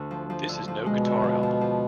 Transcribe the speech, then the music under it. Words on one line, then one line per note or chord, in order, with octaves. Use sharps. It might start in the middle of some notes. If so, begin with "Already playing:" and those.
This is no guitar album.
Already playing: D2 D3
F3
F3
D3
F3
B2 G#3
D3
F3
F3
F3